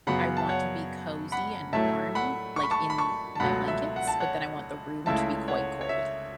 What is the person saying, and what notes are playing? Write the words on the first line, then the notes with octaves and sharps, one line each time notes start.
I want to be cozy and warm, like, in my blankets, but then I want the room to be quite cold.
F#2 C#3 F#3 B3 F#5 B5
A5
C#5 F#5
F#5 B5
A2 F#3 A3 E4 E5 A5
F#5 B5
C#6
B5
A5 C#6
B5
A5 C#6
A5
C#2 B2 F#3 A3 F#5 B5
E5
F#5
A5
C#5 F#5
C#2 C#3 A3 E4 E5 A5
C#5 F#5
C#5
E5